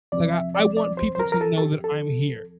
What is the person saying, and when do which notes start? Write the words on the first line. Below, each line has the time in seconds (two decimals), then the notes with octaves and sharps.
like, I I want people to know that I'm here.
0.12 E2 C3 F3 C4 D5
0.33 E5
0.55 D5
0.77 D5
0.97 C5
1.15 C5
1.19 A#4
1.32 A#4
1.41 A4
1.58 A4
1.62 G4
1.84 A4